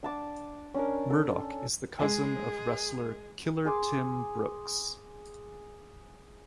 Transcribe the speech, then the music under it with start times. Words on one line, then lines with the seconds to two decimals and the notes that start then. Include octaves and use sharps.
Murdoch is the cousin of wrestler Killer Tim Brooks.
0.03 D4 A5 D6
0.74 C#4 D4 A#4
1.10 A4
1.99 G#3 G#4 G#5
3.65 G#4 C6 D6